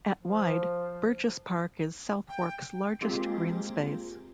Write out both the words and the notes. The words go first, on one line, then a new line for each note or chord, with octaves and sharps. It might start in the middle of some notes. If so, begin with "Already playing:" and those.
At wide, Burgess Park is Southwark's largest green space.
F3
G5
G#3 A#3 C4 F4 G4 G#4